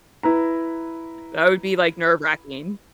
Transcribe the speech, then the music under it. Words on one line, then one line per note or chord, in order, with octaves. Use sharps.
That would be, like, nerve wracking.
E4 B4 A#5